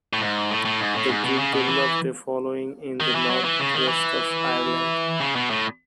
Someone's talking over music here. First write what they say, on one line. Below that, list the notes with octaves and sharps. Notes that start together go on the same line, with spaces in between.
The group developed a following in the North West of Ireland.
A2
G#2
A2
A2
G#2
A2
G#2
B2
C#3
B2
E3
D#3
E3
F#3
E3
C#3
D#3
E3
C#3
B2
A2